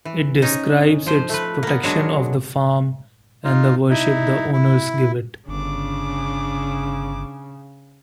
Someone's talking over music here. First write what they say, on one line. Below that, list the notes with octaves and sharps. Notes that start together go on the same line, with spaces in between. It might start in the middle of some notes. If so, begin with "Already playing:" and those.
It describes its protection of the farm and the worship the owners give it.
E3
C#4 D#4
F3 C5
A3 B4
A#3 B3
F#3 G#3 D4
D#4 F4
D#4 E4
E4
G1 C#3 D4 D6